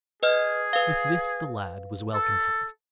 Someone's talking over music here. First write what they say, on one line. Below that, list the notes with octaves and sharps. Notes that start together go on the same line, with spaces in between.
With this the lad was well content.
G#4 B4 D#5 F6
B4 F5
A4